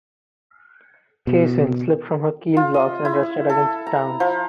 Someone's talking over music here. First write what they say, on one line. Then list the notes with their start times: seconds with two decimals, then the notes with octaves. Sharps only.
"Cassin" slipped from her keel blocks and rested against "Downes".
1.27 B2
2.57 F4
2.74 D#5
3.05 E4
3.50 A4
3.87 A#5
4.20 F3